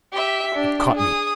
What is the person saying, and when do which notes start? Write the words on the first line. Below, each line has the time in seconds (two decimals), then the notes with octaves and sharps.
It caught me.
0.13 G4 E5
0.55 D4 G4
0.95 G#4 D#6